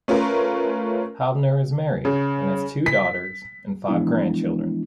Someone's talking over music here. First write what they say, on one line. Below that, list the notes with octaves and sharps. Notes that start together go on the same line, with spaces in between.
Haubner is married and has two daughters and five grandchildren.
A3 C#4 F4 A#4 B4
C#3
B6
E3 F3 G#3 B3 D4 E4